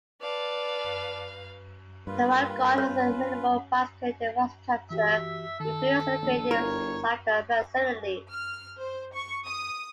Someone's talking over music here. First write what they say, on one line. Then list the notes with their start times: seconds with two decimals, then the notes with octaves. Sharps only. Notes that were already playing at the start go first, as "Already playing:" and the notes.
Traralgon has a minimal bicycle infrastructure, with few segregated cycle facilities.
0.21 B4 D5 F5 A5
2.07 G2 A#3 F4 B4
2.78 C#4 C#5
4.90 E3 F#4 G4 E5
5.60 D#3 A4
6.22 A#1
6.51 G1 E4 A#4 C#5
8.29 F6
8.80 C5
9.14 C#6
9.45 D#6